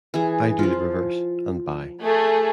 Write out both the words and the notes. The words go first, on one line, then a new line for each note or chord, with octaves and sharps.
I do the reverse-and buy.
E3 G#4
F3 F4
A3 G#4